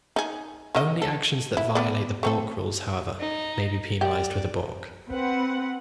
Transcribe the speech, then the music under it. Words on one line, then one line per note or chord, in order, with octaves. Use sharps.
Only actions that violate the balk rules, however, may be penalized with a balk.
D#4 G#4
D#3 D#5
A4
E4
B3 D5
A3 C4 A4
D#4
G4 D5
C4 B4 F#5